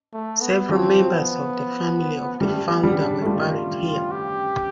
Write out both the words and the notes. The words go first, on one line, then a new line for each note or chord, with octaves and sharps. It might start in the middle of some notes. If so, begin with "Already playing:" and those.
Several members of the family of the founder were buried here.
A3
B3
F3 C4
B3
G3 A3
B3
G3
D4
A3
G3 F4
G4